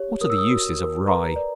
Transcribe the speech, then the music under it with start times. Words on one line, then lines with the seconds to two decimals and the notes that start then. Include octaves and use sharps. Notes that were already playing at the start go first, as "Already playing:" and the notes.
What are the uses of Rye?
Already playing: G4 C#5
0.21 A#4 D#6
0.30 E6
0.38 D#6
0.50 F#4
0.79 A#4
1.07 B4 A#5
1.36 D5